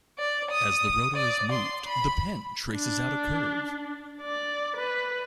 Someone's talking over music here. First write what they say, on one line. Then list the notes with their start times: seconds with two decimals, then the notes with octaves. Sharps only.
As the rotor is moved, the pen traces out a curve.
0.19 D5
0.50 D#6
1.15 D5
1.51 C6
1.85 B5
2.76 D4
4.22 D5
4.77 B4